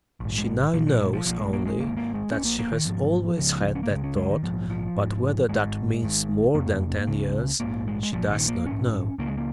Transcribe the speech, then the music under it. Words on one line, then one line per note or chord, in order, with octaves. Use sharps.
She now knows only that she has always had that thought, but whether that means more than ten years, she does not know.
A#1 G#2
G#3
A#1 A#2 F3
F3
G#3
F3
A#1 A#2 F3
G#3
A#3
G#3
G#1 G#2 A#3
A#3
G#3
A#1 A#2 C#4
A#3
A#3
D#3
G#1 G#2 F3
C#2 C#3
C#4
A#3
C#2 C#3 G#3
C#4
G#3
D#3
A#1 G#2 F3
F3
G#1 G#2
G#1 G#2 G#3
G#1 G#2
F1 F2 C#3 A#3
C#2 C#3
A#1 G#2 A#3
G#3
G#3
A#1 A#2 F3
D#3
A#3
A#1 G#2 C#4
C#2 C#3 A#3
G#3
A#3